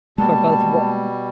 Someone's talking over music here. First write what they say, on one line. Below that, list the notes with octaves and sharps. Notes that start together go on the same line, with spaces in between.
for both work
B2 G3 G#3 A#3 A5